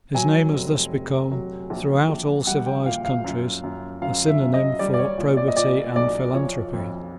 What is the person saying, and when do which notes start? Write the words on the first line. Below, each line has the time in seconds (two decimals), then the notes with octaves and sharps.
His name has thus become, throughout all civilised countries, a synonyme for probity and philanthropy.
0.15 F#3 G#5
0.53 F1
0.93 F1
1.31 F#3
1.70 A#1
2.09 A#1
2.47 G3 F#5
2.66 G5
2.86 A#2 F5
3.05 F5
3.24 F#2
3.64 F#2
4.02 F#2 F5
4.28 E5
4.41 F#2
4.54 D#5
4.79 G3 D5
4.94 D5
4.99 C#5
5.18 A#2
5.37 D5
5.48 D#5
5.57 A#2 D5
5.96 B1 D5
6.34 F3 C#5
6.73 F2